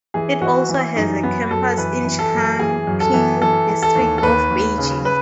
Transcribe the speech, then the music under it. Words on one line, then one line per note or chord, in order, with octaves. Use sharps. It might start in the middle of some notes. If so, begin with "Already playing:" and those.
It also has a campus in Changping District of Beijing.
E3 G#4
E3 F#4
E3
F#2 D#4
F#2 B3
F#2 A4
E3 B4
E3
A4
F#2
E3 G#4
F#2
A4
E3
E3 A4
E3
A4
D#2
A4
D#2 B4
D#2
C#3
B4